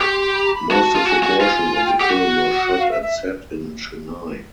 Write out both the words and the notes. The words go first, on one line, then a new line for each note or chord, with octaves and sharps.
Most of the portions of the film were shot and set in Chennai.
G4 C#6
C6
C6
B5
A#5
B5
F#4 A5
F4
F#4 G#5 A5
F#4
F4
G#5
G5
G4 F#5 G5
F#4
F5
E5
E5